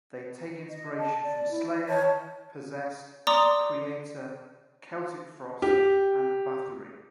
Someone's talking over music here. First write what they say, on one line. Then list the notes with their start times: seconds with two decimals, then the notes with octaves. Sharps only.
They take inspiration from Slayer, Possessed, Kreator, Celtic Frost and Bathory.
0.69 D#5
0.99 A5
1.24 D5
1.51 E4
1.88 C#5 A5
3.27 D5 A#5 C6 D6 D#6
5.62 G4